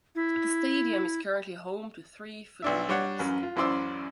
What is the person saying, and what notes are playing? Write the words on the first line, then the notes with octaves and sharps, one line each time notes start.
The stadium is currently home to three football clubs.
E4
B1 D4 E5
G3 D4 C#5 F#5
A1 F#2
F4
A1 F#2 E4 C5 D5 E6